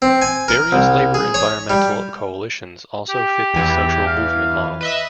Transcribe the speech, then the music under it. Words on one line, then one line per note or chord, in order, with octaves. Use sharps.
Various labour-environmental coalitions also fit this social movement model.
C4
G#5
A#4
C2
G#4
C#5
G3
G4
E2 E3
F5
B4 D#5 E5